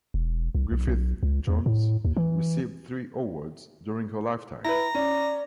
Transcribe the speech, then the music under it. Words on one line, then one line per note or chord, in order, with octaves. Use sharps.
Griffith-Jones received three awards during her lifetime.
E1
C2
B1
B1
C#2
E2
A2
D#2
E3
E4 B4 A#5
C#4 D5